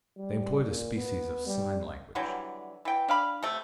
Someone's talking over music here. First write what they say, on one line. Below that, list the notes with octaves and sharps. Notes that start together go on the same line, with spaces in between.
They employed a species of sign language.
G3
A#2
B3
G3
D3 E3 F#3 G3
E3 G5
D4 F5 B5
C3 A3